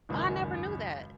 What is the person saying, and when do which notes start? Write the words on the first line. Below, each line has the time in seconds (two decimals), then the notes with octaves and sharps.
I never knew that.
0.09 G#1 C#2 F#2